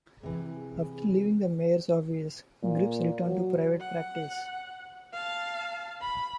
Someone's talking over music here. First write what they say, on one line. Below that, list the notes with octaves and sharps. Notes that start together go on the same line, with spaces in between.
After leaving the mayor's office, Gribbs returned to private practice.
C3 E3 G#4
A#2
F#3
F#5
F5 A5
B5